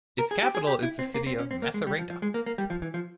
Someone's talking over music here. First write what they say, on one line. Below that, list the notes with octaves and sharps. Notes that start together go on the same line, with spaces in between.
Its capital is the city of Macerata.
A#4
G#4
G4
G#4
G4
E4
C4
A#3
C4
C#4
C4
A#3
G#3
G3
F3
F3
G#3
A#3
A#3
G3
F3
E3
F3